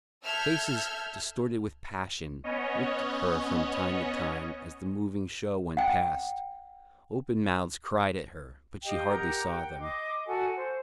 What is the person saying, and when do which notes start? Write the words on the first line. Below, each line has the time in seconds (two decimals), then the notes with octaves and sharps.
Faces, distorted with passion, looked at her from time to time as the moving show went past, open mouths cried at her; but she hardly saw them.
0.23 A4 E5 E6 F6 G6 G#6
2.44 B3 C#4 C#5 D#5
5.77 F#5 G5
8.83 G4 D#5 F5 G5
9.07 G4 A#4 F#5 A#5
9.49 F#5 G5
9.80 D#5 C6 D6
10.26 F#4 A4 F#5 G#5
10.55 C5